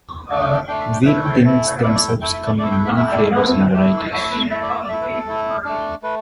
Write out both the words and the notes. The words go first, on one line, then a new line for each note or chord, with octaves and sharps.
Wheat Thins themselves come in many flavors and varieties.
A3 D4
G5
G5
A3 D4 G5
E5
G5
A3 E4 E5
G5
A3 E4
A3 E4 D5
D5
G5
A3 E4 G5
E5
D5
A3 E4 D5
G5
E5
A3 E4 E5
D5
A3 E4 B4
A3 E4 G4
A3 E4 A4
A4
B4
A3 E4 E5
D5
E5
D5
A3 E4 E5
B4
A4
A3 E4
A3 D4
A3 B4